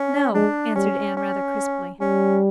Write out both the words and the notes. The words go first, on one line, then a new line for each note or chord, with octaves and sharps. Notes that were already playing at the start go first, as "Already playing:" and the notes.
"No," answered Anne, rather crisply.
Already playing: C#4
G#3 D4
G3 C#4
C#4
G3 C#4